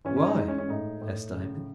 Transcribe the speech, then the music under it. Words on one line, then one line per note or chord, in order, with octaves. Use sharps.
"Why?" asked Diamond.
E3 C#4
C#4
D#4
G#3
C#4
C#4
A2 D#4
A2
C#3